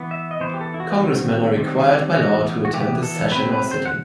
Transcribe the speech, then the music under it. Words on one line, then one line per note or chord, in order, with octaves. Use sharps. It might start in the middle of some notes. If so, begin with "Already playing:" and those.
Congressmen are required by law to attend the session/sitting.
Already playing: E3 B3
E5
D#5
E3 B3 C5
G4
A4
E4
F#4
D#3 G3 C4
D#3 G3 C4
E3 B3 F#4
F#4
E3 B3 G4
A4
F#3 C4 B4
B4
C5
F#5